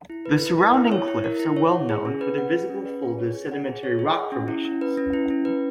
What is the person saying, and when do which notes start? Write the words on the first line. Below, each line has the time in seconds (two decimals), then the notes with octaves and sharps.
The surrounding cliffs are well known for their visible folded sedimentary rock formations.
0.10 E4
0.26 B4
0.43 E4
0.58 A#4
0.74 E4
0.92 C#5
1.08 E4
1.24 A#4
1.40 E4
1.56 C#5
1.72 F#5
1.89 G#4
2.05 C#4
2.21 B4
2.38 F#5
2.54 G#4
2.70 C#4
2.85 B4
3.03 G#4
3.19 C#5
3.35 G#4
3.51 F#5
3.68 G#4
3.83 C#5
3.99 G#4
4.16 F#5
4.32 C#4
4.48 E4
4.65 C#4
4.81 B4
4.97 C#4
5.13 E4
5.30 C#4
5.45 B4